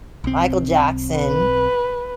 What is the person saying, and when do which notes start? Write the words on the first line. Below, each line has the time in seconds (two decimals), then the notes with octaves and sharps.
Michael Jackson,
0.24 B1 C4
1.17 B4